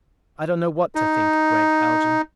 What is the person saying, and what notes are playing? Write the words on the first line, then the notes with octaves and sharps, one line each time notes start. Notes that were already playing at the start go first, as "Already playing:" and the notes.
"I don't know what to think, Gregg Haljan...."
D#4